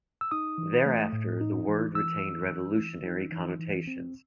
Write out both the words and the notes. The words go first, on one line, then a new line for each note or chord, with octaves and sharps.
Thereafter, the word retained revolutionary connotations.
E6
D#4 D#6
E3
A3
A2
D#4
E3
E3 E6
E3
E3
E3
D#4
E3
E3
C4